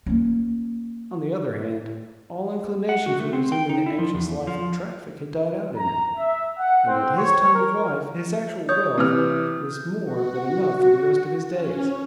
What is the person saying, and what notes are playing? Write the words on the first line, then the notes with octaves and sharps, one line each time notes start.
On the other hand, all inclination for resuming the anxious life of traffic had died out in him, and at his time of life his actual wealth was more than enough for the rest of his days.
A#3 C#4
F#5
F#4
A3
C4
G5
D#4
E4
F3
E2
F3
A#5
E5
F#5
C4
C#5
A#4
C#5 D#6 G6
C3 E3 F6
F#4
C#4